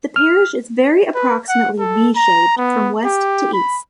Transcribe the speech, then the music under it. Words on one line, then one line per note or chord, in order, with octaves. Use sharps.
The parish is very approximately V shaped from West to East.
F6
B4
F#5
A4
A#5
B3
G4
B5